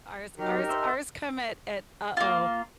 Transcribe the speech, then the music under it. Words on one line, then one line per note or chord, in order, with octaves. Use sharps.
Ours ours ours come at at, "Uh-oh."
F#3 D#4 G4 A#4
E5 C6
A#3 F4